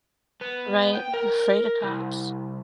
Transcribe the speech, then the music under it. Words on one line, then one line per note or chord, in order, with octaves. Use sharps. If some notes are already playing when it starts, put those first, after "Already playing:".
Right, afraid of cops.
B3
G5
A#4
C2